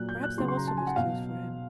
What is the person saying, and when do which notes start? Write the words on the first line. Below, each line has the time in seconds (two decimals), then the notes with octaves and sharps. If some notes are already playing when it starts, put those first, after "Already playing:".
Perhaps there was some excuse for him.
Already playing: A#2 F#3 F#6
0.09 G6
0.23 F#6
0.38 C#3 F#3 C6
0.48 C6
0.57 A#5
0.68 A5
0.77 G#5
0.87 F#5
0.96 B2 F#3 F5